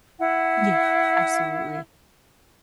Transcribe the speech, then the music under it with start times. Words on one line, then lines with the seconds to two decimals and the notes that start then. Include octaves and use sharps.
Yeah. Absolutely.
0.19 E4 F#5